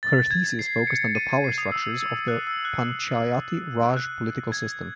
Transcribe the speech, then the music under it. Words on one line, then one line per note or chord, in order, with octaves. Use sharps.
Her thesis focused on the power structures of the Panchayati raj political system.
A6
G#6
C7
C#7
D#7
D#7
C7
D#6
E6
E6
F#6
E6
F#6
F#6
G#6